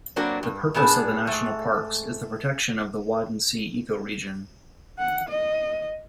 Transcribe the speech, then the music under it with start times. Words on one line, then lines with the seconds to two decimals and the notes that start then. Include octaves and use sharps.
The purpose of the national parks is the protection of the Wadden Sea ecoregion.
0.16 F#3 A#3 C4 D4 F#4 A#4
0.43 G2
0.74 A#2 B3 D4 G#4 A5
1.27 G#2 A3
4.98 F#5
5.29 D#5